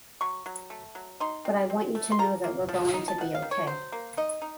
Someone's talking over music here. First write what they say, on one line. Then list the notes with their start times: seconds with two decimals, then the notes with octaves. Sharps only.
But I want you to know that we are going to be okay.
0.21 F#3 C#6
0.46 F#3
0.70 A3
0.95 F#3
1.20 D#4 C6
1.45 C4
1.70 C4
1.95 A3
2.12 C6
2.19 F3 A#5
2.44 A#3
2.69 F3
2.94 D#4
3.08 A5
3.18 D#3 F#5
3.35 F5
3.42 D#3
3.51 C#5
3.67 F#3 C5
3.92 A#3
4.17 D#4 D#5
4.42 D#4